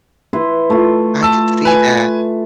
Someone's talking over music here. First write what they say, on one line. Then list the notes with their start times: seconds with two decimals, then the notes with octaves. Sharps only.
I could see that.
0.33 E4 B4 C6
0.70 A3 F4
1.23 A5 E6
1.65 B4 G#5